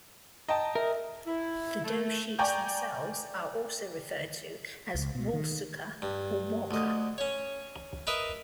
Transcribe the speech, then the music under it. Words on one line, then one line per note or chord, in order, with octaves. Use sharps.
The dough sheets themselves, are also referred to as walsouka or warka.
D#5 G5 A5 A#5
A#4 E5
E4
A3
D5 G5 G#5 A#5 C#6 G6
C#2
B2
D#3
G2
D2 D#5
C#4 C#5
A#4 B4 D#5 E5